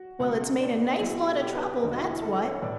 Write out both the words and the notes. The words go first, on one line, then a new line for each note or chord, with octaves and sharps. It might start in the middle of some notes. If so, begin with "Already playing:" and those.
Well, it's made a nice lot of trouble, that's what.
Already playing: F#4
C#2 B2
D4
D4
D4
B1 B2 E4
F#4
G4
A4
G4
B4
E1 D2 D3
F#4
E4
E4
A4
C#5
A2 E3 D5